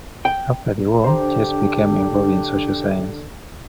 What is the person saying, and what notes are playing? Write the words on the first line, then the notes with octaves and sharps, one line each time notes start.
After the war, Chase became involved in social science.
G5
D3 D4 G4 C5 A#5